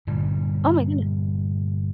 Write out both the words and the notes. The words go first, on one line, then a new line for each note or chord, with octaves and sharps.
Oh my goodness.
G1 A#2 G3